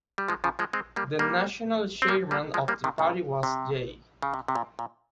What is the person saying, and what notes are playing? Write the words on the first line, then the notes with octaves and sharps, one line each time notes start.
The national chairman of the party was J.
G3
F3 G#3
C#3 F3
F3 G#3
G#3 C4
G3 A#3
G3 A#3
C4
G3 A#3
G3 A#3
F3 G#3
G3 A#3
C3 D#3
A#2 C#3
C3
C#3
C3
C3
A#2
A#2